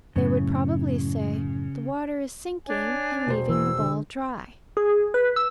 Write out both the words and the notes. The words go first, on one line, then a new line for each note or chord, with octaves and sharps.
They would probably say, "The water is sinking and leaving the ball dry."
F#2 A2 C#3
D4 C#5 G#5
E1 C5
E3 E6
D3
G#4
B4
E6